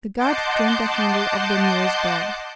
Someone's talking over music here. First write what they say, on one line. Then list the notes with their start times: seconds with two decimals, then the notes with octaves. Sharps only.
The guard turned the handle of the nearest door.
0.17 D#5 F#5 A5 C6 D6 G6